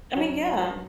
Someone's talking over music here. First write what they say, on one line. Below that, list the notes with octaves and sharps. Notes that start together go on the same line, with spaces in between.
I mean, yeah.
F#2 F#3 C#4 F#4
F#4